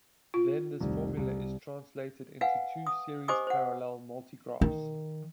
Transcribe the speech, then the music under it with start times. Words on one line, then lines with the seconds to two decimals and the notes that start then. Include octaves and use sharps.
Then this formula is translated into two series-parallel multigraphs.
0.34 F4
0.80 F1 C2 D#3
1.17 C2
2.41 B4 F5 F#5 G#5
2.87 D#6
3.28 G4 C5 D#5 G#5 D6 D#6
3.47 C5 F#5
4.61 D#3